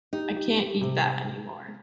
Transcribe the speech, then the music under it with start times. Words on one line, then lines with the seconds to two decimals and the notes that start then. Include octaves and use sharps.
I can’t eat that anymore.
0.13 D#4 G4
0.36 G4
0.58 G4
0.81 C3